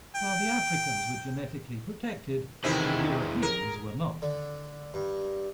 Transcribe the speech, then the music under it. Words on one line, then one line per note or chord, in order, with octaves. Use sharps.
While the Africans were genetically protected, the Europeans were not.
G5
E2 C3 D#3 E3 G#3 C4 E4
G#4 A#4
D3
G2